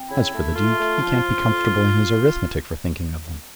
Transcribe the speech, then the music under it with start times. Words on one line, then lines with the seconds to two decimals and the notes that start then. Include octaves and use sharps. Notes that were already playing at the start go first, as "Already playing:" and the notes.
As for the Duke, he can't be comfortable in his arithmetic for thinking of them.
Already playing: C4
0.10 C#3 E4
0.33 A3
0.55 A3 F4
0.78 A3
1.00 F3
1.22 F3
1.45 F2